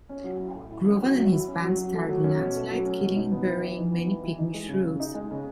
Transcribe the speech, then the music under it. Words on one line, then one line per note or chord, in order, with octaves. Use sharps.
Gruven and his band start a landslide, killing and burying many pygmy shrews.
C#4
F#3
E4
A2
E4
C#4
F#3
F#3
E4
C#4
F#3
F#3
A3
F#3
C#4
B2
A3
F#3
C#4
B2
D#4
B3
E3
E3
D#4
B3
E3
E3
D#4
G#3
C#3
C#3
D#4
G#3
C#3